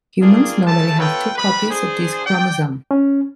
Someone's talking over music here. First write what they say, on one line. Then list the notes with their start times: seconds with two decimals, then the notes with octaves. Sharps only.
Humans normally have two copies of this chromosome.
0.21 G3 A#3 D4 F4 G#4
0.67 F#2 C#3 A3 A5
0.98 B3 F4 A4 B4 C#5 G5
1.36 C3 G3 B4 B5
1.69 D4 G#4 C5
2.25 D5 G5
2.91 C#4